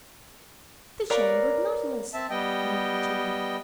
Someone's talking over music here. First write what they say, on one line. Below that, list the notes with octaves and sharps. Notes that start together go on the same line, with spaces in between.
"The Chambered Nautilus," murmured Julia.
A#4 B4 C#5 D5 F5 A#5
C4 E5 A5
G3 B3 D#5 G5